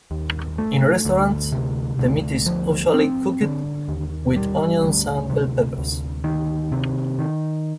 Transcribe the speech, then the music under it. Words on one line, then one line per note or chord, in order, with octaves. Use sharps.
In restaurants, the meat is usually cooked with onions and bell peppers.
D#2
A3
D2
C3
D2
F3
C4
D3
D#2
G3
D2
C3
D2
D#3
C3
D#3